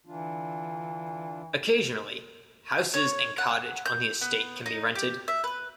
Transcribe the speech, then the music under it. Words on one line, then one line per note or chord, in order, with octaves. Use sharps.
Occasionally, houses and cottage on the estate can be rented.
D3 E3 D4 F4
C#5
F#5
G6
B3
D#4
G4
E5
B4